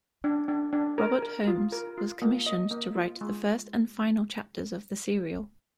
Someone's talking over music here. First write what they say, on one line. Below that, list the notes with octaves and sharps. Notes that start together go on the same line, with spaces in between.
Robert Holmes was commissioned to write the first and final chapters of the serial.
D4
D4
D4
A#4
A#4
F4
A#4
F4
A#3
D#5
A#3
F4
G#3